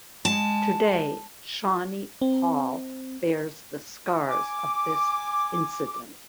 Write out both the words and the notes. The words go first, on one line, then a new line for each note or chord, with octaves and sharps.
Today, Shawnee Hall bears the scars of this incident.
G#3 A5
C4
G#5 D6